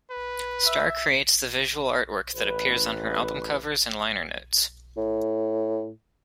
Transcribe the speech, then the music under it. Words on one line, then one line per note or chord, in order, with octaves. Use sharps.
Starr creates the visual artwork that appears on her album covers and liner notes.
B4
E5
A1 B4
A2